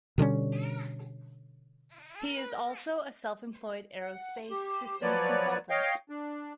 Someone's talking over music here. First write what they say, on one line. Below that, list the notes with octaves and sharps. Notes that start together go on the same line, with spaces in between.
He is also a self-employed aerospace systems consultant.
B2 D3 G3 C#4
F#5
G4
F3 F#3 B4 C#5 D5
C#5 D#5 F5 G5
D4